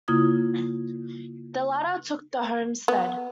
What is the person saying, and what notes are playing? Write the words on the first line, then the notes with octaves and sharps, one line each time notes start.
The latter took the homestead.
C#3 A#3 E4 F4 D#6 G#6
B3